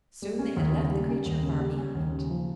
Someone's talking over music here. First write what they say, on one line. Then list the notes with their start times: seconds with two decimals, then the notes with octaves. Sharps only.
Soon they had left the creature far behind.
0.22 G3
0.39 C#4
0.57 D#2
0.74 C#3
0.91 G3
1.08 C#4
1.26 D#2
1.43 C#3
1.60 G3
1.78 C#4
1.95 D#2
2.12 C#3
2.30 F3